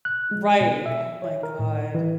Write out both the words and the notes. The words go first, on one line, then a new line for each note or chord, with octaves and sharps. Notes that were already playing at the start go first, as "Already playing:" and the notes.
Right. Oh my god.
F#6
G#3
B2
E5
C#5
A#4
A2
E3